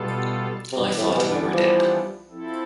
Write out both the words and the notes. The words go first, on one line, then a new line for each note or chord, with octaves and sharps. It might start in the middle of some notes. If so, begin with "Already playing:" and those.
I thought we were dead.
Already playing: B2 G3 B3 F4 A4
C3
B2 E3 G3 B3 D4
A2
C3
B2
D3
F3
F3 C4 E4 A4